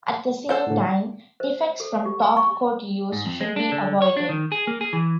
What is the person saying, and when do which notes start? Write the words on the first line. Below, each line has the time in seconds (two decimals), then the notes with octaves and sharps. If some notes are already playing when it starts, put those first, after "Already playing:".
At the same time, defects from topcoat use should be avoided.
0.49 A4 C5 F#5
0.67 A2 D3
1.40 C5
1.80 A4
2.05 G4
2.22 G#5
2.37 C#6
3.12 G#2
3.26 F2
3.41 G#3
3.56 D4
3.72 D3
4.02 C#5
4.17 D4
4.29 D#3
4.52 G#4
4.67 A#3
4.81 G#4
4.93 E3